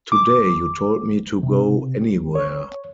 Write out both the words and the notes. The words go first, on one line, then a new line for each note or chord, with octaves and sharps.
Today you told me to go anywhere.
D6
C3
C#5